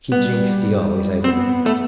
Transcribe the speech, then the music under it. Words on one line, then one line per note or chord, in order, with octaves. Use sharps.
She drinks tea always, I believe.
G3 B3
B3 C4
A3